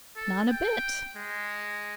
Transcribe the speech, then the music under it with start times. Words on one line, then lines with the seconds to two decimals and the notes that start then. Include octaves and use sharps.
'Not a bit.
0.17 A4
0.50 G5
1.16 G#3